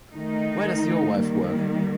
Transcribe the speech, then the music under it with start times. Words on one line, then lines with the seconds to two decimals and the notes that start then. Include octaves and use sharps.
Where does your wife work?
0.14 D#3 A3 D#4
1.15 D#3 G3 A#3